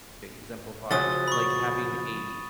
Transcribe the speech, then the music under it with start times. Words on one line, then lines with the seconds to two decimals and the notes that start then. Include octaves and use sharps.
exemplify, like, having a
0.91 C#3 F3 F#3 D#6 A6
1.28 B5 C#6